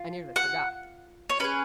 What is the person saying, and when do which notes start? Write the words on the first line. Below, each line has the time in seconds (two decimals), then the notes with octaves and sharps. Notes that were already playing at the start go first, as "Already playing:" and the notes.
I nearly forgot.
Already playing: F4
0.36 F#5
1.30 C#5
1.40 C#4 G#4 B4